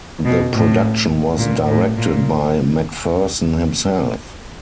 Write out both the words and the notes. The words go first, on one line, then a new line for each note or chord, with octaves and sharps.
The production was directed by McPherson himself.
B2
A2
A#2
A2
A#2